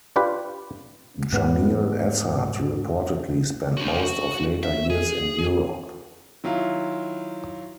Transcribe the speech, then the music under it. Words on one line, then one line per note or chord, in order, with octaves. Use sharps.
Jamil Assad reportedly spent most of later years in Europe.
D4 F4 G4 B4
G#2 B3
D4 F#4
F#4
E5
G#4
D#3 F#3 E4 F4